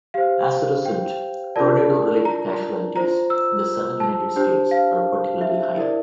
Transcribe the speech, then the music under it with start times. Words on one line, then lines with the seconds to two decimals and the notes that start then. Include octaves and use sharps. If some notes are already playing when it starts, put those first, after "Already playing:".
As a result, tornado-related casualties in the southern United States are particularly higher.
0.14 G4 C5 F5
0.85 G5
1.56 D4 F4 A#4 D5 A5
2.25 A#5
2.95 F4 C5 A#5
3.30 E6
4.00 A5
4.36 D4 G4 C5
4.71 F5
5.41 E5
5.77 E4 A#4 D5